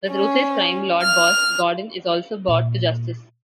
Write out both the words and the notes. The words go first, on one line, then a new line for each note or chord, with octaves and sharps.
The ruthless crime lord Boss Gordon is also brought to justice.
C#4
F6
A#2